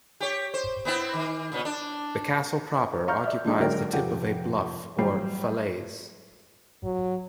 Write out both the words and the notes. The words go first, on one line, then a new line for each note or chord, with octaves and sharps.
The castle proper occupies the tip of a bluff or "falaise".
G4 C#5
C5
B3 C4 E4
D#3
A#2 C#3 B3
D4
F5 A#5 C#6 F6 G6
D5 E5 F6
F3 G#3 A3 D4 D#4
D2 F#3 G#3 A#4 D5 G5
F1 F3 G4 A4 F#5 G5
A1 F#3 G3 G5 C7
F#3